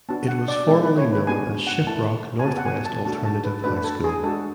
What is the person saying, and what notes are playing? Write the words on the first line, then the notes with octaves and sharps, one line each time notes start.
It was formerly known as Shiprock Northwest Alternative High School.
B3 D4 F#4 A5
F#5
D5
G#3 B3 E4 A4
B4
C#5
B4
G#3 B3 D4 F#4 G#5
F#5
A3 E4 A5
G#5
B3 F#4 A5
F#5
G#5
A5
A3 D4 F#4 A5
A5
B4
A3 D4 F#4 B4
B4
A4
G#4
G#3 D4 F#4 A4